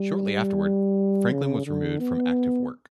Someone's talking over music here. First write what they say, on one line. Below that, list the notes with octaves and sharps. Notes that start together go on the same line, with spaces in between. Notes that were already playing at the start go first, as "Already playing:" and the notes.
Shortly afterward, Franklin was removed from active work.
Already playing: G3
C#3
D3
B3